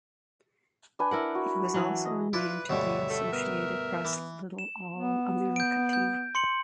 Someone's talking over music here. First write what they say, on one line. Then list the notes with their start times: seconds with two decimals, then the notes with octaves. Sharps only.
He was also named to the Associated Press "Little All-America" team.
0.99 D4 B4 G#5
1.11 E4 A#4 F#5
1.35 F#4
1.74 E3 F#3
2.05 D#5
2.33 D4 E4 F4 B4
2.69 D2 G2 B2 C#5 E5
3.10 A3
3.33 B3 A#4
4.05 E3 B3
4.59 E7
4.96 B3
5.56 G6 D7
5.93 G6
6.35 C6 C#7 F#7